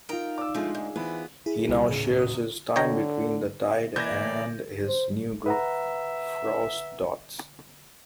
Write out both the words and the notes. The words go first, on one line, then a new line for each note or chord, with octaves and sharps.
He now shares his time between The Tyde and his new group Frausdots.
D#4 F4 A#4 G5 A#5
D5 D6 E6
F3 G#3 A3 D4
G#2 G#4
E3 B3 C5 B5 D7
E4 G#4
C2 G3
D#1 A2 C#3 G#4
D#6
D3 C#5 G5 A#5
E3 A#3 D5 A#5 G6 G#6 A#6
C5
B4 E5 F#5 A#5